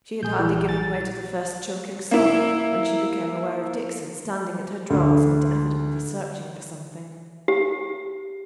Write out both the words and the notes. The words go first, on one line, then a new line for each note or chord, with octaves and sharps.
She had hardly given way to the first choking sob, when she became aware of Dixon standing at her drawers, and evidently searching for something.
A#1 G#4 G6
E3
A6
A#3 E4
D2
G4